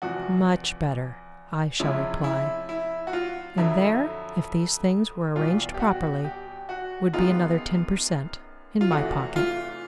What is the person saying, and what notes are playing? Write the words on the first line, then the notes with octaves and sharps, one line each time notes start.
"Much better," I shall reply--and there, if these things were arranged properly, would be another ten per cent, in my pocket.
E2 C3 F3 F#4
C3 F3 G#3 C#4 E4
E4
E4
F#4
F4
F2 D3 F#3 E4
E2 B2 G3 F4
G4
F#4
G4
F#4
F#2 D#3 G#3 B3 D#4 F4
F4
E2 C3 E3 A3 F#4
F4